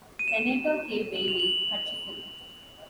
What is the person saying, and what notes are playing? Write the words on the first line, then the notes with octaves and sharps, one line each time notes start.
Senator Kay Bailey Hutchison.
D#7
E7
F#7
F7
F#7